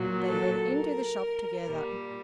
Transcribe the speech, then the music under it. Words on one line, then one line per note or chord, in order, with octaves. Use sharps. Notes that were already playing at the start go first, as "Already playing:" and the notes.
They went into the shop together.
Already playing: A#2 F#3
A4
A#4
A#2 G3